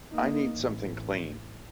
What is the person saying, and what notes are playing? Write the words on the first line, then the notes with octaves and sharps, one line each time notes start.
I need something clean.
A#3 D#4
A1